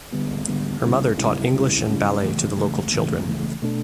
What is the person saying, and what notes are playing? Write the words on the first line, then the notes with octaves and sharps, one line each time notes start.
Her mother taught English and ballet to the local children.
D3 G3 B3
D3 G3 B3
C#3 G3 C#4 E4
C#3 G3 C#4 E4
C#3 G3 C#4 E4
C#3 G3 C#4 E4
C#3 E3 A3
C#3 E3 A3
C#3 E3 A3
C#3 E3 A3
B2 A3 D4 A4